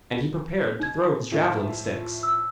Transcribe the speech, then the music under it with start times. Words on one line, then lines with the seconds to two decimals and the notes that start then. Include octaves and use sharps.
And he prepared to throw his javelin-sticks.
0.80 D#4 G#6
1.31 A2 F3 E5
2.23 E6